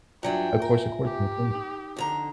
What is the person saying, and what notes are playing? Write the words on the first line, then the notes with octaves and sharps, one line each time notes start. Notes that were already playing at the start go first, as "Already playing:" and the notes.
Of course, of course, welcome.
G2 F#3 D4 F4 E5 G5 G#5
A#4
G4
D#4
F2 D3 A#5